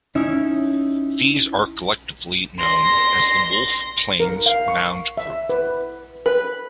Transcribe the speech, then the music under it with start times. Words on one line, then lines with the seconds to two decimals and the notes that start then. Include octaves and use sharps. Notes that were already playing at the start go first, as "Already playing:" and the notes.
These are collectively known as the Wolf Plains Mound Group.
0.15 C#4 D#4 E4
2.59 C6 A#6
4.20 A#4
4.46 F5
4.68 C#6
5.17 E5
5.50 B4
6.26 B4